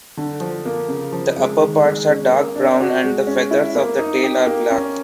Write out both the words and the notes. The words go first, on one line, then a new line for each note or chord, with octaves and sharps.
The upperparts are dark brown and the feathers of the tail are black.
D3
F3
A#3
C#3
F3
G#3
D#3
G#3
C#4
A#3
D4
F#4
G#3
C#4
E4
A#3
D#4
G4
A#3
C#4